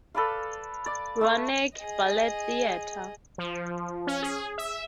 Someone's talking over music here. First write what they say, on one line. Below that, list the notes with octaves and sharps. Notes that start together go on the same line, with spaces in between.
Roanoke Ballet Theater.
A4 B4 D5 F5
D5
A3 F5 C#6
G#4 D#5
F3
C#4
G#4
E5